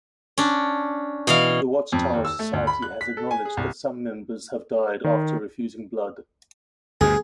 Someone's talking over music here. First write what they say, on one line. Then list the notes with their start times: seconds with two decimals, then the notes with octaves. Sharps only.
The Watch Tower Society has acknowledged that some members have died after refusing blood.
0.38 C#4 D4
1.27 B2 E3 F5
1.92 F2
2.13 D#2
2.25 E6
2.39 A3
2.53 D2
2.67 B5
2.82 F#6
3.01 B6
3.17 A4
3.31 G#5
3.45 G#4
3.57 C2
5.04 D#3
7.01 D2 G2 B2 G#4